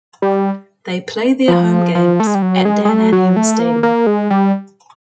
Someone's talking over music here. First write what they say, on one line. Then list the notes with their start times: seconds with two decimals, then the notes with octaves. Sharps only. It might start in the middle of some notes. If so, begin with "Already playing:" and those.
They play their home games at Dan Anyiam Stadium.
0.22 G3
1.48 F3
1.95 F3
2.20 A3
2.27 G#3
2.35 G3
2.42 F#3
2.65 G#3
2.85 G#3
2.89 A3
3.12 F#3
3.36 A3
3.59 A#3
3.83 A#3
4.07 G#3
4.30 G3